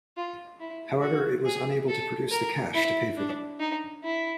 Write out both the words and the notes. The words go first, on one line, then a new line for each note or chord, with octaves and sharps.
However it was unable to produce the cash to pay for them.
F4
E4
F#4
G#4
A4
A#4
E4
D4
D#4
E4